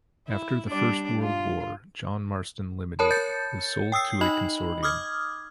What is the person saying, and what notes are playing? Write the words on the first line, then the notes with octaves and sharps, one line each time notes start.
After the First World War John Marston Limited was sold to a consortium.
E4
G3 D4 D5
F4
A#4 C#5 A5 B5
C#5 G6 A6 C#7
G5 D#6 E6 C7
D#4 D#5 B5 F#7
D6 D#6 F6 G#6